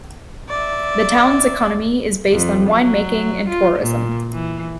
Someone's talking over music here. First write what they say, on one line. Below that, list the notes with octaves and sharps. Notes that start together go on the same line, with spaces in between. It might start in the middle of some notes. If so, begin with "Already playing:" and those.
The town's economy is based on wine making and tourism.
D5 E5
F2
F#3
F4
A#2
E3